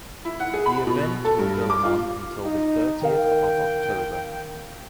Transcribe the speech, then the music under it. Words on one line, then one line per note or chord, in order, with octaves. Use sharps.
The event will go on until the thirtieth of October.
E4
F#5
G#4
B5
B2
A4
G2
D6
F4
D#4
D#3 A#4 F5 G5